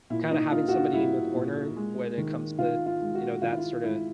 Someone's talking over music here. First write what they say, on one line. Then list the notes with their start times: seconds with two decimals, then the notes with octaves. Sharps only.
Kinda having somebody in your corner when it comes to, you know, that sorta
0.10 A#2 E4
0.31 D#4
0.52 A#3 F4
0.68 F#4
0.73 F4
0.93 G3 E4
1.35 A#2
1.76 G#3
2.18 D#3
2.59 D#3 F4
2.86 F4
3.01 G#3
3.15 F#4
3.42 D#3 F4
3.50 E4
3.59 F4
3.83 G#3 E4